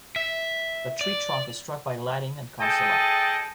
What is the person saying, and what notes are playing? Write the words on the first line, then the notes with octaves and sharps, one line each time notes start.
The tree trunk is struck by lighting and comes to life.
E5
D5
G#4 A4 D#5 G5 A5